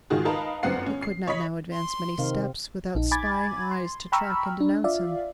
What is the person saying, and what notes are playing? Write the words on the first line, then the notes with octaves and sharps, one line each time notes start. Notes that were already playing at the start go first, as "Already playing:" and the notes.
He could not now advance many steps, without spying eyes to track and denounce him.
G#2 D#3 F4 F#4 G#4
D#4 A#4 B4 F5 A5 B5
G1 F#2 B3 C4 F#5 C7
C#4
C7
C#5 D#5 B5 B6
C6
C3 D#3 C4 F5
A#1 D#4
G#5 B5 D6 G#6 A6
C6
G5 A#5 B5 C#6 E6 F6
D4
F4 D5 E5 F5